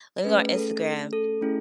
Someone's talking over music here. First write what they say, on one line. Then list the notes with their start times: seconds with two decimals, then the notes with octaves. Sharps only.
Lemme go on Instagram."
0.25 A3 C#4 G#4 B4
0.54 A4
1.13 A4
1.41 A3 C#4 E4 G#4